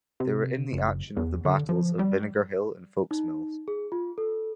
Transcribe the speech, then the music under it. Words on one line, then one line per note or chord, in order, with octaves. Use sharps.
They were in the action of the battles of Vinegar Hill and Foulksmills.
C3
F#1
E2
D3
F3
G3
D#4
G#4
F4
A4